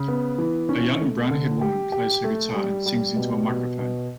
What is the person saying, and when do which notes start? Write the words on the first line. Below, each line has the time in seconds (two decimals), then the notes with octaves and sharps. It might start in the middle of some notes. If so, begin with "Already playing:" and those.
A young brownhaired woman plays her guitar and sings into a microphone.
Already playing: C#3
0.08 B3
0.38 E3
0.69 C#4
1.00 A3
1.31 D3
1.61 G4
1.92 G4
2.24 A3
2.55 G3
2.86 G3
3.16 B2
3.48 B2
3.79 B2